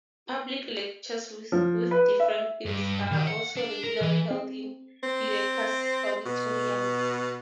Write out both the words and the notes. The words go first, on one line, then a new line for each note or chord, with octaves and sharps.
Public lectures with different themes are also regularly held in Heureka's auditorium.
F3
B4
E5
G2
D#3
F#5
D4
A#4
E3
C4
C4
B2